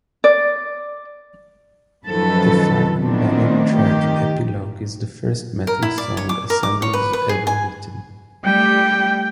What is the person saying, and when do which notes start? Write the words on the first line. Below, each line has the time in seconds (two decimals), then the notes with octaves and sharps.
The final ballad track "Epilogue" is the first metal song Asami has ever written.
0.24 D5
2.08 F#2 D#3 F3 A4 B4
3.03 D#3 F3 A3 B3 C4 D4
3.76 D#3 G4
5.67 A#4
5.82 E4
5.98 D5
6.17 C#5
6.29 D6
6.50 A#4
6.63 D6
6.82 C#5
6.93 B4
7.13 B4
7.29 G#4
7.47 G#5
8.45 G3 A3 G4 G5